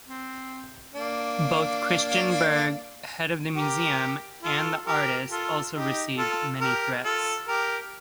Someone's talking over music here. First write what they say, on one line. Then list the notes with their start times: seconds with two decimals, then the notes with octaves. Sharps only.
Both Kristian Berg, head of the museum, and the artists also received many threats.
0.08 C4
0.95 A#3 D4
3.56 G4 A#4
4.43 F4 A4
4.86 G4 A#4
5.30 F4 A4
5.74 D#4 G4
6.17 F4 A4
6.61 G4 A#4
7.04 F4 A4
7.47 G4 A#4